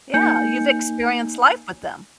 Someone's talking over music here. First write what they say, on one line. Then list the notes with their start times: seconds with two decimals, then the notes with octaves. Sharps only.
Yeah, you've experienced life with them.
0.14 A#3 D#4 G#5 G6 C#7